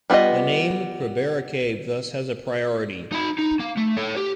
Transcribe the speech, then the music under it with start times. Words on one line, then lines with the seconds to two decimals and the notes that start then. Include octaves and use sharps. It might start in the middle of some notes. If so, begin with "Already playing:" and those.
The name "Krubera Cave" thus has a priority.
0.10 G3 B3 F4 C#5 D#5
3.13 D#4 B5
3.39 D#4
3.60 A#3
3.78 A3
3.97 A4 C#5
4.17 G4